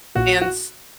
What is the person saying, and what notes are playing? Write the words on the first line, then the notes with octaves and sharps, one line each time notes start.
and s
A#1 A#2 A#3 F#4
F#4